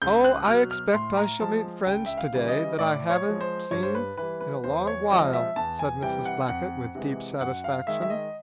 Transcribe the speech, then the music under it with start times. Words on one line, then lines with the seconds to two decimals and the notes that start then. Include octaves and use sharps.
"Oh, I expect I shall meet friends today that I haven't seen in a long while," said Mrs. Blackett with deep satisfaction.
0.02 C#2 G6
0.24 F#6
0.47 B2 F#3 F6
0.71 F6
0.94 A2 C6
1.17 A#5
1.40 F3 G#3 A5
1.86 C#2 G5
2.06 E5
2.17 F5
2.33 C#3 E3 G3
2.48 D#5
2.79 A2 D5
3.10 C#5
3.25 F3 G#3
3.41 C5
3.71 G2 C#5
3.83 C5
3.95 B4
4.17 E3 G3 B4
4.41 B4
4.64 E2 C5
4.87 C#5
5.10 C3 F3 G#3 D#5
5.33 E5
5.56 E2 A5
5.79 G#5
6.02 C3 E3 G3 G5
6.25 F#5
6.48 F2 F#5
6.95 C3 E3 G#3
7.41 F#2 F#5
7.64 F5
7.87 D#3 G#3 E5
8.02 E5
8.10 D#5